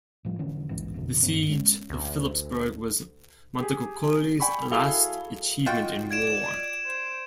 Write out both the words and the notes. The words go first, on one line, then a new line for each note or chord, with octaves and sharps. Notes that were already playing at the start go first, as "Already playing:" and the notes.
The siege of Philippsburg was Montecuccoli's last achievement in war.
A2 F3 G3
E1 D3 E3 C#4
A#1 D#2 G#2 E3
A1 F2 B2 D3
D1 G2 B3 C#4
G#3 C#4
D2
G4 G#4
D5 G5 G#5 B5 C#6
F#3 E4 G#4 A4 F5 G7
F4 F#4 D#5 G5
D5 G#6 D7 E7
C5